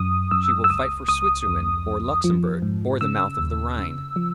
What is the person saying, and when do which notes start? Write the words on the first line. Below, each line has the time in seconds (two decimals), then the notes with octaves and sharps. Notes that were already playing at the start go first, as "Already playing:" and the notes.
She will fight for Switzerland or Luxembourg, or the mouth of the Rhine.
Already playing: F#2 D#6
0.31 F#2 E6
0.64 E6
0.70 C#2 D#6
1.08 C#2 D#6
1.47 F2
1.86 F2
2.24 F3
2.62 G#2
3.01 C#3 E6
3.39 D#2
3.78 C#3
4.16 F3